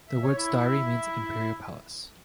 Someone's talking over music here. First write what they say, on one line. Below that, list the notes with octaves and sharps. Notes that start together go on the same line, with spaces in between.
The words "dairi" means "imperial palace".
E5
C#5
E4 E5